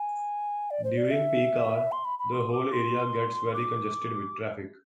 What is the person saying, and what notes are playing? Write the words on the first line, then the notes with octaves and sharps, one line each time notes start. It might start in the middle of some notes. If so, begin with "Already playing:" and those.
During peak hour, the whole area gets very congested with traffic.
Already playing: G#5
D5
C5
D5
E5
C6
B5
B5
C6
D6
C6
D6